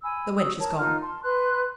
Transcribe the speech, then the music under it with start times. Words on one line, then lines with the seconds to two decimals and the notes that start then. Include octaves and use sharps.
The wench is gone.
0.03 G#5 B5 E6
0.37 F#4 D#6 E6
0.59 A#4 C#5 A5
0.77 D#4 F4 A#4 F6
1.00 A5 C6
1.23 B4 C6 F#6